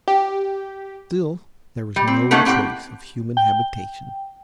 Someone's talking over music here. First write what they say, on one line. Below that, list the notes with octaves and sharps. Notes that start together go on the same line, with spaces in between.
Still there was no trace of human habitation.
G4
G3
C4
A3 A#3 C#4 D#4 A4 F#5
A2 C4 G4 F#5
G5